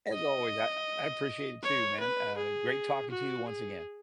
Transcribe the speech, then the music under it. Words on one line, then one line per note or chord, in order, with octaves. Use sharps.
As always, I I I appreciate it too, man, uh, great talking to you once again.
D#5
C#5
B4
G#4
F#4
G#4